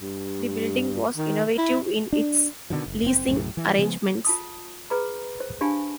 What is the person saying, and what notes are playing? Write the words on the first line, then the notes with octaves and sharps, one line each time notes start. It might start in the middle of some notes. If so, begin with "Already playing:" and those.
The building was innovative in its leasing arrangements.
G2
D#3
E4
D4
B2 D3 D#3 F3
F#1
F#1 C4
B1 F#2 A2 C#3
E3
C#3 F3 G#3 B3
F4 A5 D#6
G#4 B4 A#5 B5
C5
D4 G4 F5 G#5 A5 B5